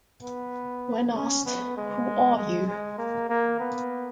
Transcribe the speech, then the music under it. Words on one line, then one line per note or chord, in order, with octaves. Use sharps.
When asked, Who are you?
B3
C#4
B3
G#3
G#3
G#3
A#3
A#3
B3